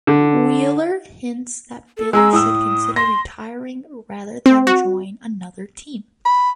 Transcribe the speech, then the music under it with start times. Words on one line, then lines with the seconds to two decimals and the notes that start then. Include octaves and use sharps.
Wheeler hints that Billy should consider retiring rather than join another team.
0.07 D3
1.98 A4
2.13 G#3 G#4 A#5 E6
2.33 A2 D#6 E6
2.96 C6 A#6
4.46 C4
4.67 F#4
6.25 B5